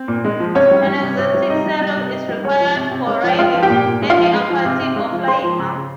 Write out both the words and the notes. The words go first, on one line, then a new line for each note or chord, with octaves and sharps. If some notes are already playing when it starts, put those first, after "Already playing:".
An exotic saddle is required for riding any aquatic or flying mount.
Already playing: C4
A#2
G#3
F3
C3 C#4 C#5
G3
G3
C3
C3
G3
C3 D#4 D#5
G3
G3
C3
C3
G3
G#3 C#4 C#5
F3
C3
C3
G#3
F3
G5
G#3 F4 F5
F3
G4 G5
A#2
A#2
G#3
F4 F5
F3
G#3
F3
C3
C3
G#3
F3
G#3 C5 C6
F3
C#3
C#3